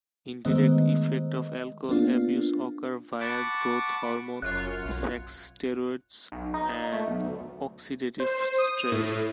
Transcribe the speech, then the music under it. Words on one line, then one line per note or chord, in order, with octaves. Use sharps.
Indirect effects of alcohol abuse occur via growth hormone, sex steroids, and oxidative stress.
D#3 G#3 A3 B3 C5 D#5
A#3 B3 D4 F4
F#5 A5 B5 C#6 D6
F#1 F#2 F4 C#5 F#6
B1
B1
D#4
A3
B1
D2
C5
D#6
A2